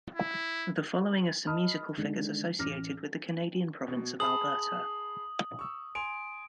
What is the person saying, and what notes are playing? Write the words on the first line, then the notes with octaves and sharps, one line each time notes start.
The following are some musical figures associated with the Canadian province of Alberta.
E4
D#5 A5 B5 D#6 F6
D3 D#3 G#3
A1 D6 F6 A#6
B2
G#4 A5 B5 D#6 F#7
C#6 E6
G#5 C6 D7 F7